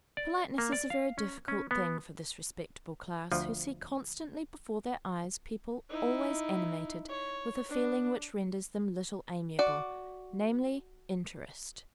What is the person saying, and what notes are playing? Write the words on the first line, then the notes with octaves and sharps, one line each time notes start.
Politeness is a very difficult thing for this respectable class, who see constantly before their eyes people always animated with a feeling which renders them little amiable, namely, interest.
D5
A#3
D5
F5
C#4
C#4
B3
D2 F3
D#4 E4
C#5
D4
F#4 D5